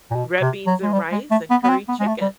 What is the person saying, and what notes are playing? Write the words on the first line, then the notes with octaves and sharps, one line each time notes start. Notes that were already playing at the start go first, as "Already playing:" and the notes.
red beans and rice and curry chicken,
A#2
B2
C3
F#3
G#3
G3
G#3
A3
B3
B3
C4
B3
G#3
A3
G3